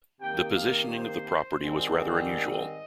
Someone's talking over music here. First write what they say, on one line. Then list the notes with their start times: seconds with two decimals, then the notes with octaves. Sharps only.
The positioning of the property was rather unusual.
0.20 C3 D#3 A#3 G5
0.56 F5
0.92 C5
1.62 G#2 D#3 G3 C4
2.34 D#5